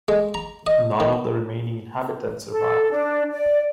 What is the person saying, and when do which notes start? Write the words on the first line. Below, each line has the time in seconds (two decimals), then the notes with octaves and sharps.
None of the remaining inhabitants survived.
0.08 G#3
0.34 A#5
0.67 D#5
1.00 D#3
2.51 A4
2.91 D4
3.31 D5